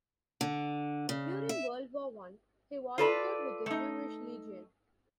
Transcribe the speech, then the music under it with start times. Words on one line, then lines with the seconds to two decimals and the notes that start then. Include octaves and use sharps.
During World War One, he volunteered with the Jewish Legion.
0.41 D3
1.09 C#3
1.49 E5
2.98 F4 A4 B4 D5
3.66 A3 D#4